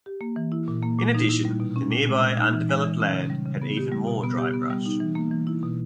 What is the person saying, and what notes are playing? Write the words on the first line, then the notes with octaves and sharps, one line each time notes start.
In addition, the nearby undeveloped land had even more dry brush.
G4
A#3
E3
E4
A#2
A#3
A#2
D#4
E4
G3
B2
C#4
A#2
G#3
A#2
D#4
E3
G#3
E3
C#4
C#3
G3
C#3
B3
G4
G3
B2
B3
G4
B3
G3
D#4
E3
A#3
E3
E4
B2